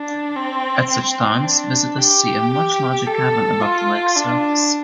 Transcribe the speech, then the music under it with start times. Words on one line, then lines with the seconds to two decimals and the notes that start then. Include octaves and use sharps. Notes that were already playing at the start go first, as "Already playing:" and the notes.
At such times visitors see a much larger cavern above the lake surface.
Already playing: D4
0.35 C4
0.90 C4
1.44 D4
1.98 G4
2.53 G4
3.07 A4
3.61 F4
4.16 D4